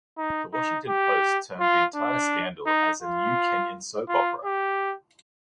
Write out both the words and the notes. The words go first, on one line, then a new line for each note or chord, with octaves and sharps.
The "Washington Post" termed the entire scandal as a "new Kenyan soap opera".
D#4
D#4
G4
F4
D4
D#4
F4
F4
G4